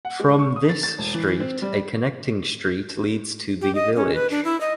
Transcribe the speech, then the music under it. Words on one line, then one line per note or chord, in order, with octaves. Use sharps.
From this street a connecting street leads to the village.
F#5
G#3
C#6
D#6
A6
A6
E1
E3
C4
G3
G4
D#5
C#4
B4
D4
E4
D#5